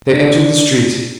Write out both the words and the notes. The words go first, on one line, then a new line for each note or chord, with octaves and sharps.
They entered the street.
D4